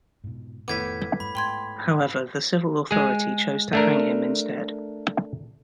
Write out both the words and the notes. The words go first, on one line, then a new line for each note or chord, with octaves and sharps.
However, the civil authority chose to hang him instead.
G#2 B2
F1 A2 D#3 B3 D6 G#6 B6
G2 B5
G#2 G5 C6 G#6
G#3 G#4
A3 D4 A#4